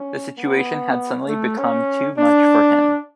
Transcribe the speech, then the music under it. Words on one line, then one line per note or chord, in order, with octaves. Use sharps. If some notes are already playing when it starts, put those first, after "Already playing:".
The situation had suddenly become too much for him.
Already playing: C#4
B3
A3
C#4
D4